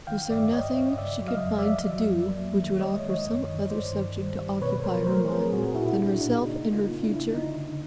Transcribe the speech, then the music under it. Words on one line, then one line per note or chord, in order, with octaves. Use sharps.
Was there nothing she could find to do which would offer some other subject to occupy her mind than herself and her future?
D#3 F5 G5
G2 D5 E5
G2 C#5 D#5
G2
C#3 D5 E5
F#3
D#5 F5
F2
D5 E5
F2
F#3
A#3
F#3
D#3
G#3 C#5 D#5
D#3
C#5 D#5
F#2
D#3
G2 C5 D5
D#3
G3
D#3
B2 B4 C#5
F#3 A#4 C5
A3 A#4 C5
C4 G#4 A#4
A#2 F#4 G#4
A#2 E4 F#4
A#3 D4
A#2 D4
C#3 D#4
A#3
D#4 F4
A#3
D4 E4
C#3
D3 D#4
D3